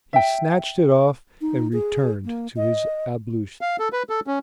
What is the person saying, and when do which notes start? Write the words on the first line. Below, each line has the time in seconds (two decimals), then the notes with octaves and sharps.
He snatched it off and returned to his ablutions.
0.13 E5 G5
1.41 D#4
1.73 G#4
2.25 A#3
2.56 D#5
3.61 F5
3.79 A4
3.93 B4
4.09 A4
4.27 C#4